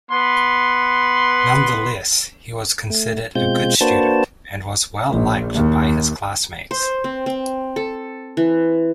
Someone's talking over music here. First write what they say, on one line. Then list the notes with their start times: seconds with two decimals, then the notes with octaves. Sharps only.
Nonetheless, he was considered a good student and was well liked by his classmates.
0.12 B3 B4 C6
2.90 A3
3.35 B2 G#3 C4 F4 G6
3.81 A#3 D4 F#4 B4 C5 A5
5.10 A#1
5.55 D#2
6.71 C5
7.04 C4
7.26 C4
7.76 A4
8.37 E3